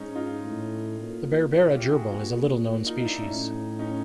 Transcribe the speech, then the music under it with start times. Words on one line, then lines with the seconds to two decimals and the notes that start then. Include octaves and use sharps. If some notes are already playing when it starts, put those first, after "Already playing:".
The Berbera gerbil is a little known species.
Already playing: G#2 C#4 D#4
0.16 D#4 F4
0.44 A2
1.00 A#2
1.56 B2 E4 F#4
1.74 F4 G4
1.92 F#4 G#4
2.11 A#2 F#4 G#4
2.86 D#4 F4
3.00 D#4
3.05 D4 E4
3.23 A2 C#4 D#4
3.79 C#4 D#4